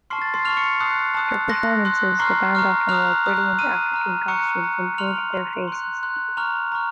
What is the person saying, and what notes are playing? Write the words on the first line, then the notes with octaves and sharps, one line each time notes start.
For performances, the band often wore brilliant African costumes and painted their faces.
A5 C6 C#6 F6 C7
A6
C6 C7
A5 C#6 F6 F7
C#6 C#7
A5 C6 D#6 F#6 C7
A5 D#6 F#6
C6 D#6 F#6 A#6
C6 D#6 F#6
A#5 C6 C#6 F6 C7
A#5 C#6 F6
A#5 D#6 F6 F#6 F7
A#5 D#6 F#6
A#5 D#6 F6 D#7
A#5 F6
A#5 C#6 D#6 F#6 C#7
A#5 D#6 F#6
C6 F6 F7
C6 F6
C6 F#6
C6 F#6
A#5 C#6 F6 F7
A#5 C#6 F6